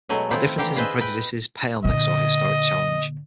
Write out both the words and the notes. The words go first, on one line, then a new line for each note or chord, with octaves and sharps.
Our differences and prejudices pale next to our historic challenge.
B2 F#3 G#3 A3 G#5
D#3 F3 A3 C4 E4 F4
D3 E3 G4 F5 G5 A#5
F4 G#4 B4 C5 D#5 E5
B4 G5
A#2 D3 D#5